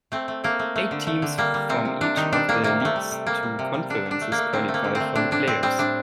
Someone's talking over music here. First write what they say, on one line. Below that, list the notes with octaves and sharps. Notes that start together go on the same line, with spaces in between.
Eight teams from each of the league's two conferences qualify for the playoffs.
A3 C4
A3
A3 A#3
A3
A3
D3
A3
D3
G3 A#3
G3
C3 C4
C3
C3 D4
D#3 D#4
G3 D4
D#3 A#3
C3 A#3
C3 A3
G3
C3
G3 A#3
G3
C3
G3
D3 D4
D3
D4
A3
A#3
A3
D3 C4
A3
A#3
D3
C4
A3
A2 D4
A2 D4
A2 C4
G3 C4
A2 D4